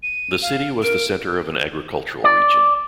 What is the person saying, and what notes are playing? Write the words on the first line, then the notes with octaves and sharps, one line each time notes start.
The city was the centre of an agricultural region.
D#7
F5
A#4 D7
D5